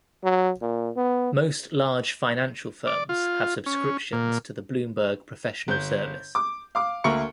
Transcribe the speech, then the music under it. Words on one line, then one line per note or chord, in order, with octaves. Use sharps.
Most large financial firms have subscriptions to the Bloomberg Professional service.
F#3
A#2
B3
D5
F4
C#4
A#2
G1 G6
D6
F5 D6
D2 A#3 A#4 E5 C#6 C#7